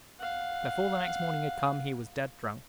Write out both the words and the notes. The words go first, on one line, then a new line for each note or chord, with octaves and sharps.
Before the next morning had come he was dead drunk!
F5 F#5